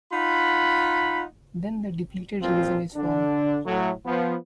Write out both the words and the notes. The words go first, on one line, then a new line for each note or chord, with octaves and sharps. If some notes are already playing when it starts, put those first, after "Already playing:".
Then the depleted region is formed.
D#4 F4 F#5 B5
A1 F2 A#2 F3 C4 F4
D3 D4
A2 F#3 A3
F3 B3